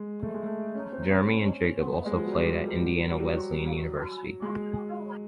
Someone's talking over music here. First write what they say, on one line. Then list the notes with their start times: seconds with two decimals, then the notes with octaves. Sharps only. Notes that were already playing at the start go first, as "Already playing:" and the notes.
Jeremy and Jacob also played at Indiana Wesleyan University.
Already playing: G#3
0.22 A3
0.34 G#3
0.46 A3
0.75 C#4
0.92 C4
1.09 C#4
1.80 B3
2.06 G#3
2.18 F3
2.25 F#3
2.32 G3
2.84 F#3
3.08 G3
3.20 F#3
4.42 G#3